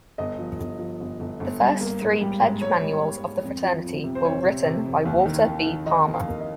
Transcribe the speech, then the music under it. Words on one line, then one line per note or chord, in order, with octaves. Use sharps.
The first three pledge manuals of the fraternity were written by Walter B. Palmer.
G1 D#5
F3
G1
F3
G1
G1
G1
G2
A#3
G#2
G3
G#2
G#2 C#5
G3
G3
G#2
F2
F3
F2
C3
C5
F2 C#5
C3
C3
F2
D#2
D#3
D#3
D#3
D#3 D#5
A#3
F5
A#3
D#5